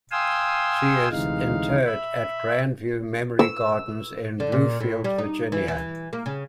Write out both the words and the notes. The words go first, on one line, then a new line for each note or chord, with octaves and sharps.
She is interred at Grandview Memory Gardens in Bluefield, Virginia.
F5 G5 G#5 C6 D#6 E6
D2 C3 E3 G#3 D#4 F5
E5 B5
E6
D3
A#2
A2
G3
D#4
E3
E3
A#3
C#3